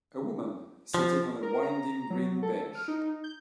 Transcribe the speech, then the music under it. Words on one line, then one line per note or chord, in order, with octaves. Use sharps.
A woman sitting on a winding green bench.
F3
A#4
A#5
F#3
A4
F6
D#4
G6